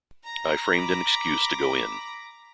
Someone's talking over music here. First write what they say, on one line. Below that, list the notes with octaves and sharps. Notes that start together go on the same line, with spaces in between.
I framed an excuse to go in.
A#5
B5 D6